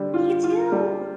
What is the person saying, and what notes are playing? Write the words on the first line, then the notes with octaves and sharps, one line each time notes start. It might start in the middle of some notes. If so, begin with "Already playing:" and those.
Me too.
Already playing: D3 G3
F4
F4
G3